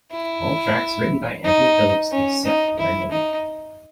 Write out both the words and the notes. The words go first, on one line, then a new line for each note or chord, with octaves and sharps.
All tracks written by Anthony Phillips, except where noted.
E4
D#4
C#4
D#4
E4
D#4